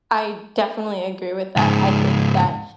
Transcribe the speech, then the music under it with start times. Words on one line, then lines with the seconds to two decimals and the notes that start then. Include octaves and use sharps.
I definitely agree with that, I think that,
1.57 C#2 G#2